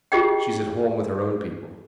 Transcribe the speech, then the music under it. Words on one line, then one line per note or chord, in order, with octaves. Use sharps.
"She is at home with her own people."
F4 G4 G#4 D#5 G5